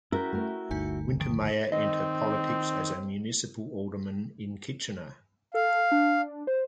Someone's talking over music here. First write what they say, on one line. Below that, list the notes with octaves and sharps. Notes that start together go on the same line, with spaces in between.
Wintermeyer enter politics as a municipal alderman in Kitchener.
C#4 E4 F#4 A#4 G5
A3 A#4
G1 D2 D#4 G#5
D#3 F3 D7
D#3 C4 D#5
A4 F5
D4
C5